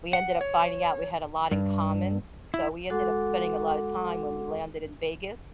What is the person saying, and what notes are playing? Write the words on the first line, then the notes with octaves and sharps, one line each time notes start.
we ended up finding out we had a lot in common, so we ended up spending a lot of time when we landed in Vegas,
F#5
C#5
G2
E4
G#3 F#4 A4 F#5 C6 D6